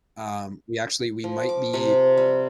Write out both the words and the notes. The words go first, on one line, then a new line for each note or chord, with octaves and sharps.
um, we actually we might be
F3
D6
C3
G3